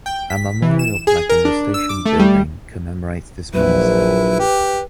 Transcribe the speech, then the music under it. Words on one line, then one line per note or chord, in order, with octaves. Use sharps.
A memorial plaque in the station building commemorates this milestone.
G5
B6
E3
E7
G#4
A#4
D4
E6
D6
A3
G3
A#1 F#3 E4 B4
G4